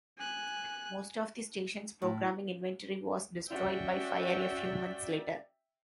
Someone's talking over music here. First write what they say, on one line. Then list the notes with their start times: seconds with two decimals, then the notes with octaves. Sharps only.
Most of the station's programming inventory was destroyed by fire a few months later.
0.19 G#5 F#6
2.02 A2
3.49 C#4 F#4 D5 E5 G5